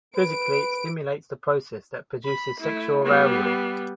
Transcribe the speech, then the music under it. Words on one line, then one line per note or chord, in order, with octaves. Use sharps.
Physically, it stimulates the process that produces sexual arousal.
B4 D7
B5
A3 E4
G3 B3